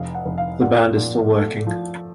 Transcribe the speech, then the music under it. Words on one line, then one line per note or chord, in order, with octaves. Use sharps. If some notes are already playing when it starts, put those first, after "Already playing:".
The band is still working.
Already playing: F1 F5
F#5
F1
F5
A#2 F#5
A#2
A3
F3